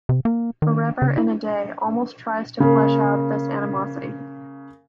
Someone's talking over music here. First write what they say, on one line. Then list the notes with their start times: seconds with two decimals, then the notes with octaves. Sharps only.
"Forever in a Day" almost tries to flesh out this animosity.
0.09 C3
0.25 A#3
0.62 D#3
1.02 C#3
1.18 E4
2.60 C#3 A#3